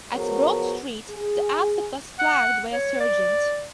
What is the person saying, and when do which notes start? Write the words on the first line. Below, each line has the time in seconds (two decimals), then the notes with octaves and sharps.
At Broad Street the outfit was flagged by a sergeant.
0.15 F3 B3 F#4 G#4 A#4 C#5
1.09 G#4
2.19 F#5
2.73 C#5
3.00 D5